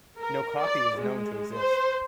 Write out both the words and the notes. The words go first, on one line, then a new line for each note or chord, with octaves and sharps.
No copy is known to exist.
A#4
D5
G#3
C5